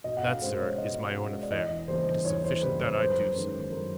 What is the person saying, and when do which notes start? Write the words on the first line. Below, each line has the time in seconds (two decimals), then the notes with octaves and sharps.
"That, sir, is my own affair; it is sufficient that I do so."
0.04 B2 D#5
0.17 F#5
0.24 F5
0.41 G#3 C#4 C5
0.60 C#5
0.78 B2 D#5
1.14 G#3 C#4
1.43 D5
1.51 E2 D#5
1.88 C#3 E3 G3 A#3 C5
2.25 E2 C#5
2.44 C5
2.62 C#3 E3 G3 A#3 B4
2.80 C5
2.99 F#2 C5
3.08 B4
3.15 A#4
3.25 B4
3.35 D#3 G#3 C#4
3.72 F#2 A#4